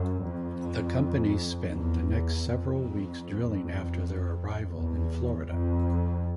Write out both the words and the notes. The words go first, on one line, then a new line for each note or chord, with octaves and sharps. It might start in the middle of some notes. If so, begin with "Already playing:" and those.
The companies spent the next several weeks drilling after their arrival in Florida.
Already playing: F#2
F2
E2
F2
E2
F2